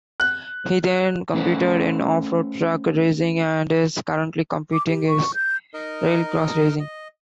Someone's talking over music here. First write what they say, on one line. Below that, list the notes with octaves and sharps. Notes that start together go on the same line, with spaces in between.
He then competed in off-road truck racing and is currently competing in rallycross racing.
F#6
F#3 A3 C#4 A4 B4 C5
D6
G4
C#6
G6
D#4 A#4 D#5
D#5